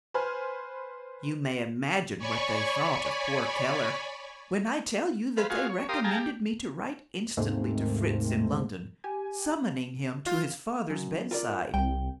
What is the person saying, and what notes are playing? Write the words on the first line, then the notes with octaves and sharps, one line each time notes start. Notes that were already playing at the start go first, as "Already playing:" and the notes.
You may imagine what they thought of poor Keller, when I tell you that they recommended me to write instantly to Fritz in London summoning him to his father's bedside.
B4 C5 G#5 F6
C#5 D5 G#5 B5 C#6
B4 C5 F5
F4 F#4 G#4 F5
C#5
G4 A#4 F5 C6 D#6
G#4 F5 G5 A5 A#5
G4
D#2 G#2 C3 A3 A#3 C4
G4 G#5
F4
F#2
F4 A#4 D5
C2 G5